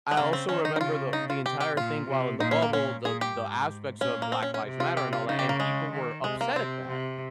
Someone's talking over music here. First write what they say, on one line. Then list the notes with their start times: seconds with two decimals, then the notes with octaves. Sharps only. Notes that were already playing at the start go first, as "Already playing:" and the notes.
I also remember the the entire thing while in the bubble, the the aspects of Black Lives Matter and all that, and people were upset at that,
0.11 G#3
0.17 C#3 A#3
0.33 C4
0.49 D#3 C#4
0.65 D#4
0.76 D#4
0.81 C#3 F4
1.13 D#4
1.30 F4
1.45 C3 G4
1.60 G4
1.77 A#2 F4
2.09 C3
2.40 A#2 D#4
2.51 C#4
2.62 A#3
2.73 A#2 C#4
3.05 A#2 G#4
3.21 G4
3.37 G#2
4.01 A#2 C#4
4.22 A#3
4.32 C4
4.43 C#4
4.54 C#4
4.65 C3
4.80 F4
4.97 G4
5.13 F4
5.28 C#3 D#4
5.39 G4
5.49 A#3
5.60 G#3
5.92 D#3
6.24 C3 G#3
6.41 A#3
6.56 C3 C4
6.88 C3